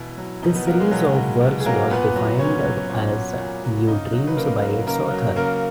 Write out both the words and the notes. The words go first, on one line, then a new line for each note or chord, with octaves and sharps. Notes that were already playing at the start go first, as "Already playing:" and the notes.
This series of works was defined as Udreams by its author.
Already playing: B2 E3 E4
F#3
B2 D#3 D#4
B3 B4
F#3 A#3 A#4
G#3 G#4
B2 F#3 F#4
F#3
B2
G#4
F#3 A#3 A#4
A#2 B3 B4
F#3
A#2 C#4 C#5
F#3
A#2 C#4 C#5
F#3
A#2
F#3
C#3 D#4 D#5
F#3
B4
C#3 A#3 A#4
F#3
C#3 A#3 A#4
F#3
C#3 A#3 A#4